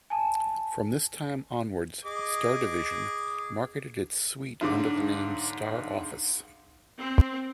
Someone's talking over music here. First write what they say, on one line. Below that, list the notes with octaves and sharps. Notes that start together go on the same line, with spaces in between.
From this time onwards StarDivision marketed its suite under the name StarOffice.
G#5 A5
G#4 D#5 D6
B1 G#2 D3 D6
C4